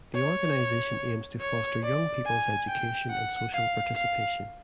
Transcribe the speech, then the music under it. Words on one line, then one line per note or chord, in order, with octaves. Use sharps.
The organisation aims to foster young people's education and social participation.
C#5
C#5
D5
G#5
G5
F#5
F5
F5